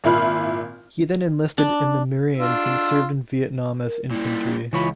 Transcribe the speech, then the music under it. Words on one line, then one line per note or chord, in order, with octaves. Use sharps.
He then enlisted in the Marines and served in Vietnam as infantry.
G#1 A#2 E4 F4 B5 F6
D4
D4 F4 E6
A#4
A#2 G3 E4
C#2 E3 F4 C#5 B5